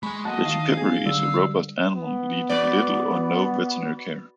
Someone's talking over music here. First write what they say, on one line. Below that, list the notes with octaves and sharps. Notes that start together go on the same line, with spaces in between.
The Chippiparai is a robust animal needing little or no veterinary care.
G#3 G#5 B5 C#6
G#3 A#3 F#4 D#5 A5
D#3 F5
B3 C#4 G#4
D3 G3 E6
B3
F#4 B4 D5